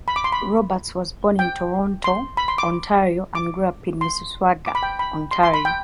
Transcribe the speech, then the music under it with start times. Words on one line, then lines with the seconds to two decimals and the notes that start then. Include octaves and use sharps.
Roberts was born in Toronto, Ontario and grew up in Mississauga, Ontario.
0.08 B5
0.16 D6
0.24 C6
0.32 B5
1.39 G5
2.04 C6
2.37 B5
2.48 C6
2.58 D6
3.35 D6
4.01 C6
4.66 D6
4.75 B5
4.83 G5
4.99 B5
5.31 C6
5.43 C6
5.54 B5
5.65 G5